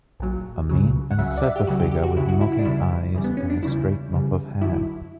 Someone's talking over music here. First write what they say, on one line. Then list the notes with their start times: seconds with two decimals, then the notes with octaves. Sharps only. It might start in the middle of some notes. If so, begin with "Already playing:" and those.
A mean and clever figure with mocking eyes and straight mop of hair.
0.20 A#1 A#2 F#3
0.69 C#2 C#3 F#3
1.11 F#5
1.18 C#2 C#3 F#3 E5
1.31 F#5
1.37 D5
1.43 E5
1.56 G4
1.67 C#2 C#3 F#3 F#4
1.80 G4
1.91 G4
2.03 F#4
2.16 C#2 C#3 F#3 E4
2.29 F#4
2.41 E4
2.53 E4
2.59 D4
2.65 E2 C#3 G3 E4
3.14 E2 C#3 G3
3.24 B3
3.37 C#4
3.50 D4
3.63 E2 C#3 G3 E4
4.12 E2 C#3 G3
4.61 F#2 D3 F#3 E4